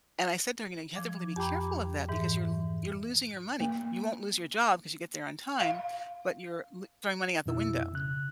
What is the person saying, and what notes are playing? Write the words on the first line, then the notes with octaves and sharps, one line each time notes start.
And I said to her, "You know, you have to really be careful of that because you're lo you're losing your money. You won't lose your job, 'cause you get there on time, but you're lo throwing money out the window."
F3 D6
F2 G4 G5 A#5 B5 D6
G#2 E3
A#3
F5
F2 B2 E4 E6
C#3 F#6